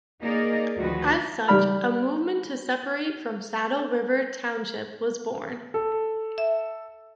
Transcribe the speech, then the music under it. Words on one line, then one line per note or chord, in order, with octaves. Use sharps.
As such, a movement to separate from Saddle River Township was born.
A#3 D#4 G#4 A#4 D5 D#5
D2 D#3 F3 F#4 B4
G3 D5 B5 F6
A4
E5